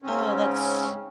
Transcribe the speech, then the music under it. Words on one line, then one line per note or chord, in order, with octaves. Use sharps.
Oh, that's
G#2 C#3 C4 C#4